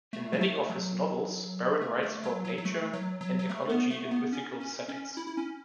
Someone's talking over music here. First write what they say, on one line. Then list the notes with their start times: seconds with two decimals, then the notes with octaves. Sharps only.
In many of his novels, Barron writes about nature and ecology in mythical settings.
0.13 A3
0.33 F#3
0.41 A3
0.69 F#3
1.81 A3
2.03 A3
2.24 F#3
2.45 F#3
2.58 F#3
2.65 A3
2.93 F#3
3.21 F#3
3.39 F#3
3.49 A3
3.69 B3
3.90 A3
4.11 B3
4.33 C#4
4.60 C#4
4.88 C#4
5.17 E4
5.27 E4
5.37 C#4